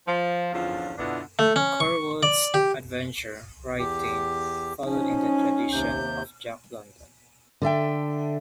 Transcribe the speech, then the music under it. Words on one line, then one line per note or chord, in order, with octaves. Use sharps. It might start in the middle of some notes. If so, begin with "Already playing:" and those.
Curwood's adventure writing followed in the tradition of Jack London.
F3 C5
E2 D3 F3 C#4 D4 F4
B2 D3 B3 D4 E4 F4
A3
C#4
C#6
D5
G4
E2 G4
F3 C#4 D#4
D#2 C3 G6
D3 A4 E5 G5